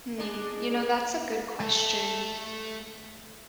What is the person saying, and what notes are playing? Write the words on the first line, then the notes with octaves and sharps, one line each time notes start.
Hmm, you know, that's a good question.
G#3 D4
A3 A4